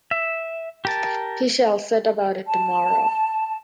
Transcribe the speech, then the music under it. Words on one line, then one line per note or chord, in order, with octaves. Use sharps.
He shall set about it tomorrow.
E5
G4 A#4 A5
A5